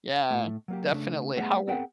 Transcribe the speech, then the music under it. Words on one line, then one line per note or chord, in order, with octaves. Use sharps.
Yeah, definitely. How w
A2 A3
F#3 A#3 G4
C#3 A3 D4
G3 A3 B3 G#4 F#5
B3 C4 G#4 A#4 F#5 G5